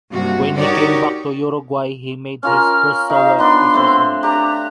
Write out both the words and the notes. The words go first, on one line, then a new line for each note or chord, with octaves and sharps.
When he came back to Uruguay he made his first solo exposition.
G2 C3 A#3 F#4
D#4 F#4 G4 A#4 C#5 D5
C#4 F4 A#4 F6
D#4 F5
B3 D4 C6
A3 C4
D4 G4 A#5